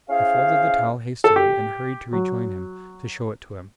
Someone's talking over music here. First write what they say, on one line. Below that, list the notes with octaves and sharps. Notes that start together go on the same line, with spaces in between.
I folded the towel hastily and hurried to rejoin him, to show it to him.
C#4 E4 G#4 C5 F5
A4
G4
F#3